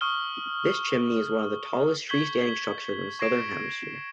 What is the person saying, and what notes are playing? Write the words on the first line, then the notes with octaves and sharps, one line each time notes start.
This chimney is one of the tallest free-standing structures in the Southern Hemisphere.
C#6 D#6 F6 G7
C#6 G6 G#6 B6 F#7 G7
C#6 G#6 A#6 C7 D7 E7